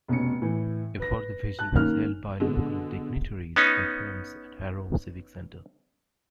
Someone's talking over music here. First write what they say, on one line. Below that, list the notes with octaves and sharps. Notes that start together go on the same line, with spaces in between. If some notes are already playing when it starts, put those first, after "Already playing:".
A further vigil was held by local dignitaries and friends at Harrow Civic Centre.
F1 B2 C#4 C#7
A2 E3
B4 A#6
A5 F#6
D#3 A#3 C#4 F6
B2 D3 G#3
B3 C#4 D#4